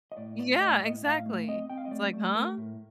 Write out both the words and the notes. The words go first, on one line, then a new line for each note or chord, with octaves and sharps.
Yeah, exactly. It's like, huh?
D#5
A2 D5
A3 D5
A2 D#5
A2 D#5
A2 F5
A3
C4 D#5
C4 G5
F5
D#5
A3 D5
A3
A3 A#4
A2